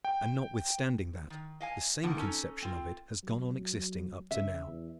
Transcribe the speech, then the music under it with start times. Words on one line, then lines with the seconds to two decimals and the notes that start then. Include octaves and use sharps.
And notwithstanding that, the same conception of it has gone on existing up to now.
0.05 G5
1.30 D#3
1.60 D#5 F5 G#5
2.03 A2 D3 D#3 A#3 B3
2.17 C#4 D#4 A4
2.62 C4 F4
3.24 F#3
4.31 C#3 E5
4.67 E2